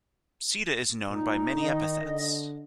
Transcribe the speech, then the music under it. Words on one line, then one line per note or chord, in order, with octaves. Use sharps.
Sita is known by many epithets.
A#2 D#4
D#3 D#5
D3